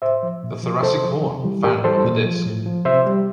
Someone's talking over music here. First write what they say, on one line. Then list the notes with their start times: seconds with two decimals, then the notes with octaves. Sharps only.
A thoracic horn found on the disc.
0.02 A2 C5 E5
0.23 F3
0.43 A#2
0.63 F3
0.83 C3 A4 C5
1.04 F3
1.24 C3
1.44 E3 G3
1.64 A2 G4 A#4
1.84 E3 G3 A4 C5
2.05 A#2
2.26 F3
2.46 A2
2.66 F3
2.85 C3 C5 E5
3.06 G3